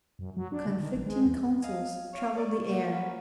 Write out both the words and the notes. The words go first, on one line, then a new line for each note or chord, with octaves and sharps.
Conflicting counsels troubled the air.
F#2
F#3
D4
D3
D#3
A1
G#3
E2
G#4 D#5 F5
C#5 F5 C#6
D5 D#5
A#3 D#4 C5 E5 F#5
C#4 B4